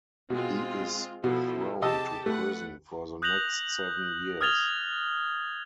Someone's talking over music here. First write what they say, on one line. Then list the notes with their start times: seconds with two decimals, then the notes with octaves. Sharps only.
He is thrown to prison for the next seven years.
0.30 B2 G#3 C4 F4
1.24 B2 F3 E4 A4
1.82 C3 G4 G#4 D#5 A5 E6
2.26 A3 B4 F#5
3.22 D#6 F#6 G6 A#6 F7 F#7
4.41 D#6 F6 G#6 A6 F7 G7